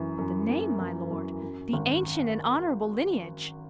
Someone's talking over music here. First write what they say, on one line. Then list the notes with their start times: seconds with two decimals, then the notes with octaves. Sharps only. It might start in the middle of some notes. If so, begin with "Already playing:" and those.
"But the name, my lord,--the ancient and honorable lineage!"
Already playing: F#2 E3
0.18 F#2
0.49 A#3
0.80 F#2
1.11 F#2
1.42 F#2
1.73 G#1